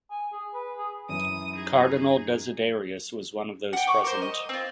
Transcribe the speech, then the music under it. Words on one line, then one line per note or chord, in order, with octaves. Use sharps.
Cardinal Desiderius was one of those present.
G#5
G#4
B4
G#4
F#2 E3 E4 D#6
D#4 G#4
F#5 G5
C#6 D6
A#4 C5
D#5
C4 F4